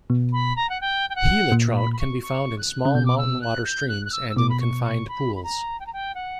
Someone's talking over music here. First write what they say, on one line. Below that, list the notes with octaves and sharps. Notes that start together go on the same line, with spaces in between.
Gila trout can be found in small mountain water streams, and in confined pools.
B2
B5
A#5
F#5
G5
G5
F#5
A#2
C#6
B5
B5
C#6
C#6
F#6
C#3
B2 G6
D6
E6
F#6
G6
F#6
F#6
E6
E6
B2 D6
B5
C#6
C#6
B5
B5
A#5
G5
A#5
G5
F#5